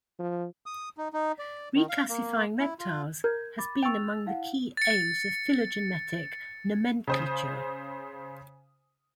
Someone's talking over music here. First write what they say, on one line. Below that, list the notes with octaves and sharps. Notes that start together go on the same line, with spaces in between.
Reclassifying reptiles has been among the key aims of phylogenetic nomenclature.
F3
D#6
D#4
D#4
D5
D#3
F5
A#3
E4
F4
A#4 G6 G#6
B5 D6 A6
G5 C#6 E6 A6 F7
E4 F5 F#5
A6 C#7
C#3 C5 D#6